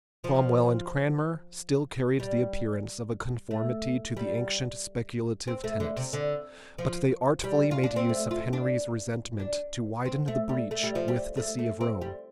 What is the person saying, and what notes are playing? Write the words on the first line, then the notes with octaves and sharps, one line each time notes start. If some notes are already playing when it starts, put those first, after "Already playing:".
Cromwell and Cranmer still carried the appearance of a conformity to the ancient speculative tenets; but they artfully made use of Henry's resentment to widen the breach with the see of Rome.
F3
G3
A3
G3
C4
A3
D3
C3
D3
F3
G3
F4
D4
C4
A3
F4
D4
D4
C4
A3
G3
A3
G3
F3
G3
A3
A3
C4
G3